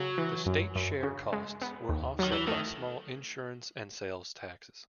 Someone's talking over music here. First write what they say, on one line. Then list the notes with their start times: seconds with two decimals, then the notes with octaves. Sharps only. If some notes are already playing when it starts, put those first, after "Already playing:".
The state share costs were offset by small insurance and sales taxes.
Already playing: C#3 F#3
0.18 E3
0.46 F#2
0.75 F#2
1.03 C#3
1.32 G#3
1.62 B3
1.89 D#2
2.19 D#3 F#3
2.32 E3
2.47 D#3 A3